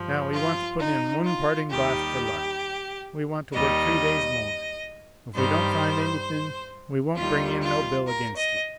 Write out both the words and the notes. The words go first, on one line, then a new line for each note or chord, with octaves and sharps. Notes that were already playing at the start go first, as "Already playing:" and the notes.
Now we want to put in one parting blast for luck. We want to work three days more; if we don't find anything, we won't bring in no bill against you.
Already playing: G2 F3
F4
D#4
F4
D#2 D#3 G3 G4
D#2 D#3 G3 D#5
G2 D#3 G3 C5
D#2 D#3 G3 F4
F4
A#4
D#5